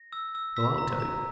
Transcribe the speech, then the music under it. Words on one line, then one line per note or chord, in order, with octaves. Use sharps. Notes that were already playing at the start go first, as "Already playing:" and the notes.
Well, I'll tell you.
Already playing: A#6
E6
E6
E6 B6
A#5
A#5